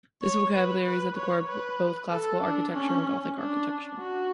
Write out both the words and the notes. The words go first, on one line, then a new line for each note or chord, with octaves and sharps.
This vocabulary is at the core of both classical architecture and Gothic architecture.
C#5
B4
B4
C#5
B4
A4
D4
C#4
D4
F#4